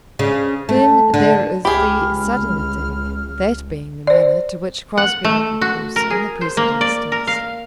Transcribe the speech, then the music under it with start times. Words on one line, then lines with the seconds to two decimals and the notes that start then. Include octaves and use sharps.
Then there is the sudden attack,--that being the manner to which Crosbie had recourse in the present instance.
0.19 C#3
0.69 A3
1.14 D3
1.65 C#2 G4 G#4 B5 F6
4.07 C5 D5
4.98 F#5
5.25 A3
5.61 F#4
5.96 A#4
6.10 G#4
6.41 C5
6.57 A#3
6.81 D5
7.12 A#4
7.27 F5